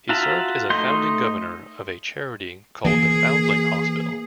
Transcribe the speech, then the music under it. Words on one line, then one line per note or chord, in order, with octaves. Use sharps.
He served as a founding governor of a charity called the Foundling Hospital.
F4 F#4 E5 A5 A#5
A3 D#4 D#5 C6 G6
E3 A#3 G#4